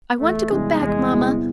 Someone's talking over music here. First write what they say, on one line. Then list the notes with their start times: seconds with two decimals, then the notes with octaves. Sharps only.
I want to go back, mamma.
0.20 E2 A3
0.50 C3 E3 G3 G#3 B3
0.80 E2 G#3
1.11 C3 E3 G3 B3